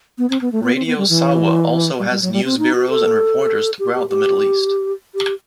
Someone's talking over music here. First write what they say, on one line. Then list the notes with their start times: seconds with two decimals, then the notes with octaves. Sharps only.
Radio Sawa also has news bureaus and reporters throughout the Middle East.
0.18 B3
0.30 C4
0.41 B3
0.52 A3
0.63 B3
0.75 C4
0.86 B3
0.98 G3
1.09 E3
1.99 G3
2.10 G3
2.22 F#3
2.33 G3
2.44 C4
2.59 D#4
2.75 F#4
2.90 A4
3.79 G4
3.94 G4
4.09 G4
5.15 G4